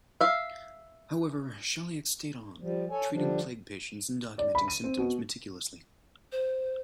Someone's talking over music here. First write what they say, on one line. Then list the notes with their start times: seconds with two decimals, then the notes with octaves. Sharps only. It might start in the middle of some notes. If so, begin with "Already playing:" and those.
However, Chauliac stayed on, treating plague patients and documenting symptoms meticulously.
0.21 E5 F5
2.61 F3 G3
2.90 A4 C#5 G#5
3.12 D3 F3 G3 D4
4.38 D5
4.55 B5
4.68 D#7
4.84 C4
4.98 B2
6.32 C5